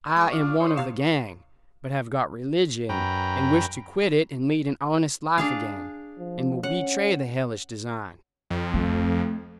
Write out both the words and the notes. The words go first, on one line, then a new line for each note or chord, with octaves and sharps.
I am one of the gang, but have got religgion and wish to quit it and lead an honest life again, and will betray the helish design.
G#3 C#6 D#6
D4 F4
D#4 C5 C#5
C3 F5 E7
F#2 B4 G5 A#5
D4 G#4 F5
F3
C#4 F#5
F2
A3